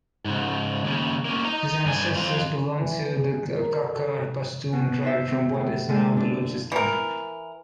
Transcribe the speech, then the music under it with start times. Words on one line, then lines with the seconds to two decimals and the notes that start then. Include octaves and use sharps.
His ancestors belonged to the Kakar Pashtun tribe from what is now Balochistan.
0.25 G#2 C#3
0.84 D#2 C#3
1.25 A#3 C#4
1.45 D#5 A#5
1.85 G2 G#5
2.15 F2 F4
2.77 E3
3.16 G#4
3.54 A#4
3.89 A4
4.73 B2
5.03 D#4 C5 E5
5.31 C4
5.54 A2
5.89 A#2 D3 G#3
6.17 D4
6.72 E3 A#4